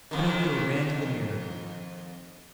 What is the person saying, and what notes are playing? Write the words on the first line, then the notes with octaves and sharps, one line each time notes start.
Pinocchio ran to the mirror.
F2 D#3